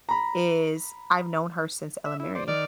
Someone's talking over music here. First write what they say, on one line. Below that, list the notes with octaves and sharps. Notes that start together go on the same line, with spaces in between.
is I've known her since elementary,
A#5 B5
E5
E4
C5 D5
D#3 D5 F6